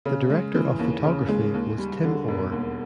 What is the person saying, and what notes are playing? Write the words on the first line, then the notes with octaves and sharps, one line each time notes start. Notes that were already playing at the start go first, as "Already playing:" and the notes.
The director of photography was Tim Orr.
C#3
G#3
E3
D#2
C#3
G#3
D#2
G3
D3
E1
D#2